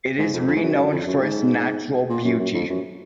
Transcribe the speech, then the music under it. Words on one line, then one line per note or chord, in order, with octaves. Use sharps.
It is renowned for its natural beauty.
G#2
F2
F2
G#2
F#2
F#2
F2
F#2
G#2
A#2
F#2
F#2
F2
F#2